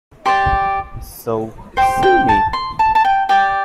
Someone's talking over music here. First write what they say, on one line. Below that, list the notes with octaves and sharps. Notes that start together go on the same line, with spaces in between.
So sue me!
G4 D5 C6
G4 C5 G5
G5
A5
C6
A5
A5
G5
G4 D5 G5